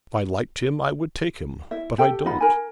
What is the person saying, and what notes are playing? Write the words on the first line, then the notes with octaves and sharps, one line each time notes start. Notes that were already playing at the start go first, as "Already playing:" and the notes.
If I liked him, I would take him, but I don't.
E4 E5
G4 A4 G5
D#4 F4 F#5 B5
A#4 G#5